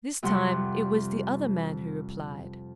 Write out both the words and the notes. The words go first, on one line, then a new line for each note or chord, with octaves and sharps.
This time it was the other man who replied.
F2 C3 G3 F#5 C6